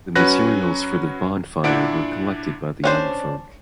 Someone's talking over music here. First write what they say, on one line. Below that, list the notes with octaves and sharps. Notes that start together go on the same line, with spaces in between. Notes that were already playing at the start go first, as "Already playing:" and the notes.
The materials for the bonfire were collected by the young folk.
F#3 C#4 F#4 B4 F#6 A#6
A#2 D4 E4 F#5 D7
C#4 D4 C5